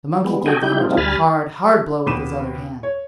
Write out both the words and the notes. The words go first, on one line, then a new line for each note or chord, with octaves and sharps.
The monkey gave the image a hard, hard blow with his other hand.
G3 G#3 B3
F#4 A4 D#5 G5 G#5
G3 D#4 E4 G4 G6
F3 G3 A3 C4 D#4 F4
D2 G3 G#5 B5 F6 A6
D#2 B2 B5 D6 D#7 E7
C#5